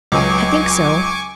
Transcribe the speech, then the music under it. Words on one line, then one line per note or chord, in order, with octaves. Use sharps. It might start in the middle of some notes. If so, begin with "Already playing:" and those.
"I think so."
C#2 F#3 B4 G#5 C#6 D6